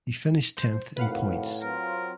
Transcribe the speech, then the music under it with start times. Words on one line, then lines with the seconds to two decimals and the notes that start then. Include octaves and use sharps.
He finished tenth in points.
0.57 C5
0.97 F#2 A2 C3 D#3 B4 F5 F#5
1.62 F#3 C4 F4 A#4